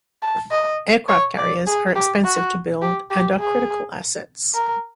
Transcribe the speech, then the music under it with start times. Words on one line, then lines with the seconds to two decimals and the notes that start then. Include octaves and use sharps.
Aircraft carriers are expensive to build and are critical assets.
0.22 A5
0.51 D#5
1.08 C#5
1.37 D5
1.66 G#4
1.95 G4
2.24 F#4
2.82 G4
3.10 G4
3.39 G#4
4.54 A#4